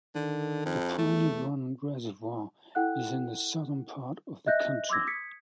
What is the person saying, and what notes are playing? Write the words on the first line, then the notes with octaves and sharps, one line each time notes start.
The Piney Run Reservoir is in the southern part of the county.
D3 D#3
F2
E2 A3
E4 A4 F#5 G5 F#6
D#5 E5 F#6 G6 A#6
C6 D6 E6 G#6 A#6
D#6 G#6 B6 C#7